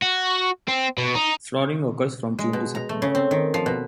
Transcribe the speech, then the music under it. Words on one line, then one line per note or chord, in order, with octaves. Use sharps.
Flowering occurs from June to September.
F#4
C4
B2
D#4
G#3
B2
A#5
A3
C#3
C4
D#3
F3
B2